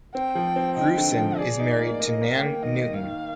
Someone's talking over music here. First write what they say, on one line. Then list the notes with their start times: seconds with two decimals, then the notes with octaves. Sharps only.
Grusin is married to Nan Newton.
0.15 C4 G5
0.35 F3
0.56 C4
0.76 D#4 G5
0.98 D3
1.17 F3
1.38 G#4 D5
1.59 D#4
1.80 A#3
2.00 A#3 D#5
2.22 A#3
2.31 G5
2.42 A#3
2.62 D#3 D#5
2.83 D#3
2.93 F5
3.03 D#3